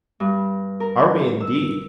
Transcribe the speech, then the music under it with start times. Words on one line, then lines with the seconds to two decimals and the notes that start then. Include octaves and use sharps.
"Are we, indeed?"
0.20 G2
0.80 A#4
1.40 E6